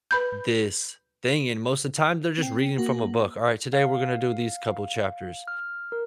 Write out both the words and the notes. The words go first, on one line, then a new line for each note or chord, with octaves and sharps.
this thing, and most of the time, they're just reading from a book. "Alright, today, we're gonna do these couple chapters,
B4 B5 G6
C4 G5
A#3 F#4
F5
F6
A#4